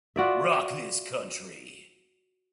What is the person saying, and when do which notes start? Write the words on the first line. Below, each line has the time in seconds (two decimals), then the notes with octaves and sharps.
Rock This Country!
0.16 F4 F#4 D5 E5